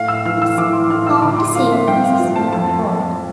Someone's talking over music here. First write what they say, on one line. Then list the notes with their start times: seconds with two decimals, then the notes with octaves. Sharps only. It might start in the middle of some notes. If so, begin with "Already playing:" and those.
Its county seat is Smethport.
Already playing: A2 F5
0.08 E6
0.25 E3 F6
0.42 E6
0.58 E3 D6
0.73 C6
0.90 A2 F6
1.07 E6
1.22 D3 D6
1.39 C6
1.55 F3 F5
1.72 E5
1.88 G2 G5
2.04 F5
2.19 F3
2.36 A5
2.52 F2 A5
2.85 F2